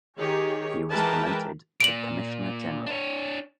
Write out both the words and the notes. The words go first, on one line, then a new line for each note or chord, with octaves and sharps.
He was promoted to commissioner general.
D#3 G4 G#4 C#5
E3 G#3 A#4 B4 G5 A5
A#2 D7 F#7
D4 C#5